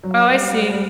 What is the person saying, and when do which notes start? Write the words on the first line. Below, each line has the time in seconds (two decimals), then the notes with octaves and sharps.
Oh, I see.
0.03 F#3
0.30 G3
0.54 G3
0.70 G3